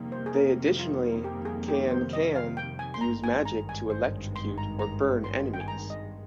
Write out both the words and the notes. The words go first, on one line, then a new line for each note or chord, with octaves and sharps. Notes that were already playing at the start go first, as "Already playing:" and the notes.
They additionally can can use magic to electrocute or burn enemies.
Already playing: F2 C3 D#3 G3 A#3
C5
G#4
A#4
F4
G4
G#4
G4
C5
D#5
F5
G5
G#5
C6
G#1 G2 D#3 G#3 A#5
G#5
A#5
G#5
C5
C6
A#5
A#5
C6
G5
G#5
A#5
D#5